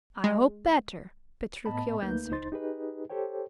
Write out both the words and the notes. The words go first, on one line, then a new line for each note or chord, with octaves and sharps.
"I hope, better," Petruchio answered.
G#3
A2 B3 D#5 A5 B5
D2 A3 A#3 D#4 B4 G6
C#2 D#4 C5 C6 A6
D#4 G4 G#4 B4 D#5
G4 A4 C5 C#5 G5